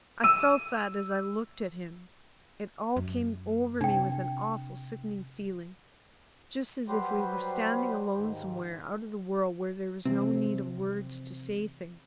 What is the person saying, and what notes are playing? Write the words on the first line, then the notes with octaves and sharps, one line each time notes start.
I felt that as I looked at him--it all came over me with an awful sickening feeling--just as if we were standing alone somewhere out of the world where there was no need of words to say things.
E6 D#7
F#2
C3 D4 G5
F#3 G3 G4 B4 C5
D#2 G#2
C3 E3 F3 C4